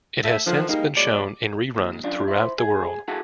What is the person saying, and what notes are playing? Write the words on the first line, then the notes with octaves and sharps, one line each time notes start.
It has since been shown in re-runs throughout the world.
A3 E5
D3 D#3 F3
G3 G#3 A#3 D#4
B2 F#3 G#3 D5
D#2
F#2 D4 F4
E4 C5
G#4
E4 F#4 G#4 A4 F5 F#5